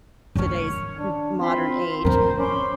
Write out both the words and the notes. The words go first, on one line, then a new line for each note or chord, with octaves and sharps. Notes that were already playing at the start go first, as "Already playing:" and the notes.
today's m modern age,
D#3 C#4 E4
D4
C4 F4 B5 C6
D#3 C4 A#4 C5
C#4 B5 C6 D6